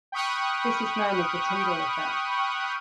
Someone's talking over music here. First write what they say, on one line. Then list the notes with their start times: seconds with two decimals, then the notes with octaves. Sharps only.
This is known as the Tyndall Effect.
0.12 G5 B5 C#6 D#6 F6 F#6